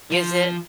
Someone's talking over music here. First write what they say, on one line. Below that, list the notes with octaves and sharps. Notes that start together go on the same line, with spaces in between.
Is it?
F3